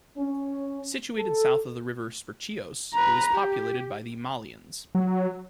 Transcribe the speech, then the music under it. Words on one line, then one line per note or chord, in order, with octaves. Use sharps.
Situated south of the river Spercheios, it was populated by the Malians.
C#4
A4
B4 A#5
G4
F#3